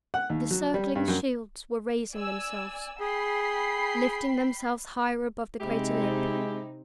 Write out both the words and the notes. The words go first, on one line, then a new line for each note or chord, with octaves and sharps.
The circling shields were raising themselves, lifting themselves higher above the crater-lip.
F#5
D#2
F#3
G3
G2
F#2
D5 G#5 E6
G#4 G5 B5 C7
C3 G#3 C4 D#4 E4 G4